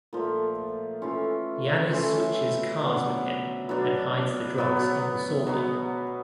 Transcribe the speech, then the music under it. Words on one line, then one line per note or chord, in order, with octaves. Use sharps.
Yanis switches cars with him and hides the drugs in the sawmill.
A#2 F3 A3
E3 A3 C#4 F4
E3 A3 C#4 F4
B2 F#3 B3 D4
B2 F#3 B3 D4
B2 F#3 B3
B2 F#3 B3